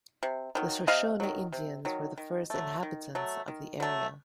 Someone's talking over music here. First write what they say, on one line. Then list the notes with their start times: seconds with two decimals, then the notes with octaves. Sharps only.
The Shoshone Indians were the first inhabitants of the area.
0.23 C3
0.55 D#3 F#3
0.87 C3 D#5 F5
1.20 D#3 F#3
1.53 C3
1.85 D#3 F#3
2.18 D#3
2.50 F#3 A3
2.83 D#3
3.15 F#3 A3
3.48 D#3
3.80 F#3 A3